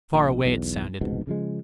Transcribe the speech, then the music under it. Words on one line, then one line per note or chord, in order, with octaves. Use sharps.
Far away it sounded.
A#1
B1 E2
F1 C#2 G#2 B2
C#3 F3 G#3